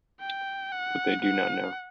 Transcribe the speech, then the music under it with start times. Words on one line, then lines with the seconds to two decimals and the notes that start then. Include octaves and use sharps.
But they do not know.
0.21 G5
0.72 F#5
1.22 F#5